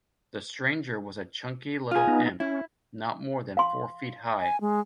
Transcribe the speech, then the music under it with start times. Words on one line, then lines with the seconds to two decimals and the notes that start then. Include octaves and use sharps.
The stranger was a chunky little imp, not more than four feet high.
1.91 F4 G#4
2.07 B3 D#4
2.40 C#4 E4
3.57 F5 C6
4.40 G#5
4.61 G#3